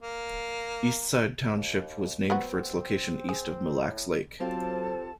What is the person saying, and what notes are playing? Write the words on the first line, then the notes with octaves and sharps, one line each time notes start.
East Side Township was named for its location east of Mille Lacs Lake.
A#3
D#2
F#3 B3 C4 F#4
C4 G#4
A2
F#3 C4 F4 G4 A4 C5 A5